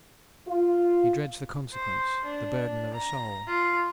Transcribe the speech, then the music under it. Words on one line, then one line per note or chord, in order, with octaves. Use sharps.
He dreads the consequence--the burden of a soul.
F4
C5
D4
A#5
F4